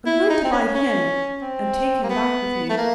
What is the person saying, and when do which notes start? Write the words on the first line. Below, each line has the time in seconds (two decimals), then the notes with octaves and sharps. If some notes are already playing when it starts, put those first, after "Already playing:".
I'm going to buy him and take him back with me.
0.06 E4
0.30 D#4
0.45 C4
0.52 C#4
0.75 C#4
1.42 C4
2.04 A#3
2.10 B3
2.70 A3
2.78 A#3